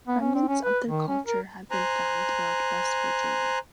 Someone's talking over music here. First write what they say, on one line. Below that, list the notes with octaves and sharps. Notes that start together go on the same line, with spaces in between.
Remnants of their culture have been found throughout West Virginia.
B3
C#4
C4
C#4
B4
D#3
C#4
A#4
C5 G#5 A#5 F#6